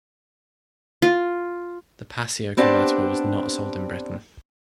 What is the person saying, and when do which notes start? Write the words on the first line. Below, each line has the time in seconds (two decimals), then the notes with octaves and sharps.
The Paseo convertible was not sold in Britain.
1.02 F4
2.57 B3 C4 D4 G4 F#5 A5